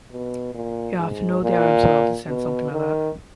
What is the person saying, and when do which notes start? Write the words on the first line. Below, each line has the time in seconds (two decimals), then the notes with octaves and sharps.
You have to know the Arabs well to sense something like that.
0.12 B2
0.55 A#2
0.99 G#2
1.41 A#2
2.28 B2
2.71 D#3